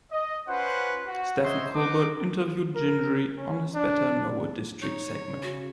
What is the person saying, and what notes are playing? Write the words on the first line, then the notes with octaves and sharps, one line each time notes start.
Stephen Colbert interviewed Gingrey on his Better Know a District segment.
D#5
C#4 F4 B4 C5 F#5
F#4
C5 C#5 D#5 E5 F#5 C6
D#4 B4 D6
A#4
C#4
D4
D#4 C#5
C#3
F#4